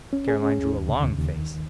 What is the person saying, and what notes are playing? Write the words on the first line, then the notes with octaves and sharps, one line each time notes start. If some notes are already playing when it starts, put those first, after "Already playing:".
Caroline drew a long face.
C#4
G#4
C#4
D#2
D#2
C#3
D#2
D#2
D#3